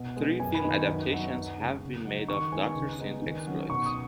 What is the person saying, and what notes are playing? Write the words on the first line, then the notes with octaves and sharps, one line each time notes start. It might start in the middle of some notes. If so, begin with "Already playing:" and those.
Three film adaptations have been made of Doctor Syn's exploits.
Already playing: B2
G#3 B3
F#2 G#5
B5
D#3 B3 D#4
F#2
F#3 B3 D#4
F#2
C#3 G#3
C#3
F#3 D#4
D#3 C#6
G#3 B3 D#4 G#5
C#3
G#3 B3 D#4
D#3
F#3 C#4
B2 C#6
D#6